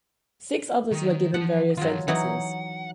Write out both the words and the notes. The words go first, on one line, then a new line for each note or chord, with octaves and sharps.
Six others were given various sentences.
D#3
F3 F#5
D#3 F#3 F4 G#4
E3 F#3 D#4 F#5